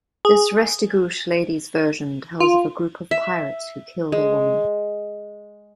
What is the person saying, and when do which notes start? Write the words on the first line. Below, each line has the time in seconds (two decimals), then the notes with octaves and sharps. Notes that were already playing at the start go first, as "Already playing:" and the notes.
This Restigouche lady's version tells of a group of pirates who killed a woman.
0.25 G#4
2.40 F4
3.11 E5
4.12 G#3